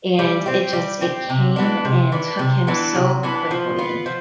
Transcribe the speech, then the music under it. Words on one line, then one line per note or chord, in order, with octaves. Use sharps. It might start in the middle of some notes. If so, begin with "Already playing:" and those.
and it just it came and took him so quickly
G3
C4 G4
G3
C4 G4
C3
E3 B3 D4
C3
E3 B3 D4
C3
E3 B3 D4
C3
E3 B3 D4
F3
B3 F4
F3